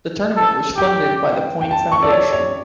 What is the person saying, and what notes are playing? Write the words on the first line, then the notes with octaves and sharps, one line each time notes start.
The Tournament was funded by The Point Foundation.
A4
G4 G5
G5
A5
C#6
A4 D5
C#5
C#5